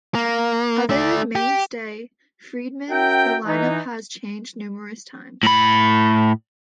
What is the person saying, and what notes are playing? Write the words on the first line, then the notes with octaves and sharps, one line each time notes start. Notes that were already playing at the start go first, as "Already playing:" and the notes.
Other than mainstay, Freedman, the line-up has changed numerous times.
A#3
A3 D5
G4
C#4 F#4 A#4 E5 G5
E3 D#4
A2 B5